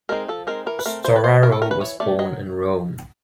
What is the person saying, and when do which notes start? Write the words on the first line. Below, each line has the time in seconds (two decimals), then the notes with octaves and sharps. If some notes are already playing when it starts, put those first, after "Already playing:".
Storaro was born in Rome.
0.09 G#3 C4 D#4 A#4
0.28 F3 A4
0.47 G#3 C4 D#4 A#4
0.66 E3 A#4
0.79 B4
0.86 A3 C4 A#4
1.04 E3 C5
1.16 B4
1.24 A3 C4 C5
1.43 E3 A#4
1.52 A4
1.62 A3 A#4
1.66 C#4
1.71 B4
1.81 E3 C#5
2.00 A3 C#4 D5
2.19 F#3 D#5